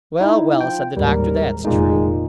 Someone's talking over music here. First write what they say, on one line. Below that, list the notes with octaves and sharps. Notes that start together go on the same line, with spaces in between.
'Well, well,' said the Doctor, 'that's true.
D#4 E4
F3 G5
A1 D#2 G#2 G3 A#4
G#1
F1 A#2 D#3 G#3 A#3 D#4